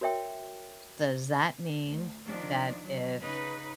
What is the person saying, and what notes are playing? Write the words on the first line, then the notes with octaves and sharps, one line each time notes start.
Does that mean that if
F#4 A#4 C#5 E5 G5
D2
D#3 F3 D4
F#3
C#3 D#4 B4